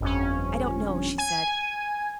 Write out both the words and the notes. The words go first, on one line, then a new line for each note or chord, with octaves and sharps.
"I don't know," she said.
G1 F2 C#4
G#5